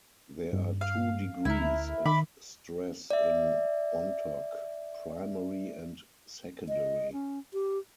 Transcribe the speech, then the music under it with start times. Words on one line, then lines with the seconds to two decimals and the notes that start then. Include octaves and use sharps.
There are two degrees of stress in Bontoc: primary and secondary.
0.53 G2
0.81 F5
1.45 D2 E4 A#4
2.05 D#3 E5 B5 D6
3.11 D5 E5
6.68 D#5
7.13 C#4
7.53 G4